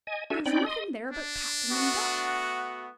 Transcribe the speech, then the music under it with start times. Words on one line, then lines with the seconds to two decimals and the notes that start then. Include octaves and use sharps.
There's nothing there but packing and dust.'
0.07 D#5 G#5
0.30 D4 F#4 A4 E5 G#5
0.46 C4 C#4 D#4 D5 G5 B5
0.66 D#5 C6 D#6
1.11 D4
1.70 A3 B3 F#4